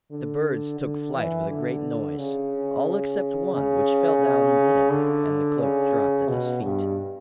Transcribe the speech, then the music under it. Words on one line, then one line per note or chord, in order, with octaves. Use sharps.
The birds took flight with a great noise, all except one, which fell down dead, and the cloak dropped at his feet.
D3
D3
E3
D3
C#3
C#3
D3
C#3
B2
G2